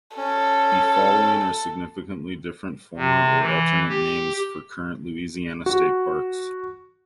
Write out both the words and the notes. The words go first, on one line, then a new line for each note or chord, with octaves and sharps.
The following are significantly different former or alternate names for current Louisiana state parks.
C#4 A4
C3
E3
G4
F#4